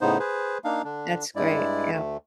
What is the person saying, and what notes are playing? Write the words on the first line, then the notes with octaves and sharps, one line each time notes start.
That's great, yeah.
A2 C#3 B3 D#4 C5
G#4 B4 C5
A#3 D4 D#4 F5
D3 D4
G2 G#3 E4 D5
D2 A3